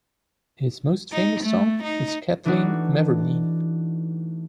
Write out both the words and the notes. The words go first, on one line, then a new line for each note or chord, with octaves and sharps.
His most famous song is "Kathleen Mavourneen".
D#4
A3
D#4
E3 A3 D4 D#4 F#4